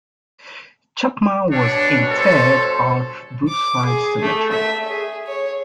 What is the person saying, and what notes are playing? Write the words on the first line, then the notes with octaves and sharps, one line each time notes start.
Chapman was interred at Brookside Cemetery.
G2 B2 D4 C#5
A4 C5
D6
G#4
A3
E5
G#4
C#5